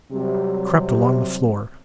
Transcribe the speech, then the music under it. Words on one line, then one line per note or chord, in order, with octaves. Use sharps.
I crept along the floor.
C3 F#3 G3